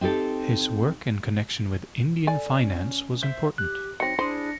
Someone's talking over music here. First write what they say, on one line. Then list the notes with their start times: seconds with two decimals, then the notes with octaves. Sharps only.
His work in connection with Indian finance was important.
0.01 C4 D#4 G4 A4
2.27 A4 D5 G#5
2.57 C#4
3.23 C5 E5
3.58 G4 F#6
4.00 F#3 C4 D#4 A#6 C#7
4.19 D4 E4 G#4 C5